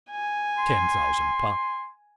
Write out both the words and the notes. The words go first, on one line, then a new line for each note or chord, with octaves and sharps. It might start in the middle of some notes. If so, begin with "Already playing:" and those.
Ten thousand pounds.
G#5
C6